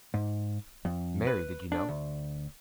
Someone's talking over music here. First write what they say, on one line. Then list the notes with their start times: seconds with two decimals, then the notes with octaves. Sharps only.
Mary, Did You Know?
0.14 G#2
0.85 F2
1.27 B4
1.72 D4
1.89 D2